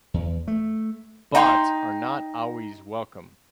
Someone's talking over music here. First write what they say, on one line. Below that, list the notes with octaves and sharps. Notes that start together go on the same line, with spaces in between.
Bots are not always welcome.
E2
A3
D#4 G5 C6